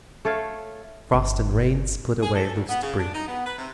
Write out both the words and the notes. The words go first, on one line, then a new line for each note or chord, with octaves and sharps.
Frost and rain split away loose debris.
A3 A4 C#5 F5
G1 F4
G#4
A4
D2
B3
C#3
D4
D#4
B3
B4
C3